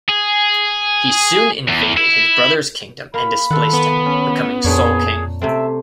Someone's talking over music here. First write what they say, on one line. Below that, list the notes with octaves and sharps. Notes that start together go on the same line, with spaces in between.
He soon invaded his brother's kingdom and displaced him, becoming sole king.
G#4
E2
E4
A#3 A#4 A#5 B5
D#3 F4 A4 F#5
B3
C#4
F2 A#2 D4 G#4 C#5
C3 A3 C4 E5